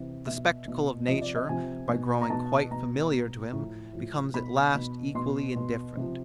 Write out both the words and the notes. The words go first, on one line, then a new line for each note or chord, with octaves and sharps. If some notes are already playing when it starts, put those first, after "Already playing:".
The spectacle of nature, by growing quite familiar to him, becomes at last equally indifferent.
Already playing: C3 E3
B2 E5
B2
C3 F3 D#5
D5
D#5
C3 F3 G#5
B2
A#5
B2 A5
B2 A#5
B2
A2 F3
A2 F3
B2 B5
B2
B2 C6
B2
C3 F3